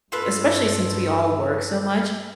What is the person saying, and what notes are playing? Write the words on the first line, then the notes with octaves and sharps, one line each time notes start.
especially since we all work so much,
G2 D4 F4 A4 B4